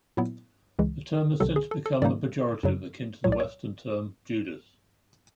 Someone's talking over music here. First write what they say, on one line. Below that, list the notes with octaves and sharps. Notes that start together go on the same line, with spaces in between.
The term has since become a pejorative akin to the western term "Judas".
A#2 F#3 B3 E4
C#2 C#3 E3 G#3
C2 C3 D#3 F#3 A4
G#4
A4
A4
G#2 D#3 F#3 A#3 D#4 D5
F#2 C#3 F#3
C2 A#2 F#3 C#5
D5
C#5